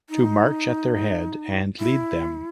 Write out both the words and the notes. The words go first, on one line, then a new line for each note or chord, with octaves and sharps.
To march at their head and lead them.
D#4
E4